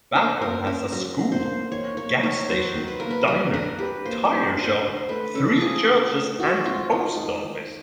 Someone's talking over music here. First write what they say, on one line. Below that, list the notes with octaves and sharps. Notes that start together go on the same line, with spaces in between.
Balko has a school, gas station, diner, tire shop, three churches and post office.
D3 C5
A#3 A#4
C#4 A#4
F#3 A#4
D3
C5
A#3
D#3 C#5
A#3 C#5
D#4 C#5
F#3 C5
D#3
B4
A#3 A#4
B4
G3 A#4
D4 A#4
G4 B4
A#3 C5
C5
G3
D4
C5
D3
A3 B4
C#4 A4
F3 G#4
D3
A3
D#3 F#4
C4 F4
D#3 D#4
G#3
D#3